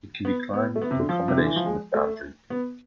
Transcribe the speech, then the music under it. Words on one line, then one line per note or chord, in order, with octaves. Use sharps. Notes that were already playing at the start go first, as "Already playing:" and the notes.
It can be climbed in combination with Boundary Peak.
B3
B3
A3
B3
C3
D3
F3
C3
D3
E3
F3
G#3
A3
B3